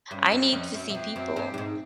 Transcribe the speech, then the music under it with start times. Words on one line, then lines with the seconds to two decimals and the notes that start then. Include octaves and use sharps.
I need to see people.
0.10 G2 C#4
0.32 F#2
0.53 F2
0.74 F#2
0.89 F#2
0.94 F2 C4
1.16 F#2
1.36 G2
1.54 G2
1.58 G#2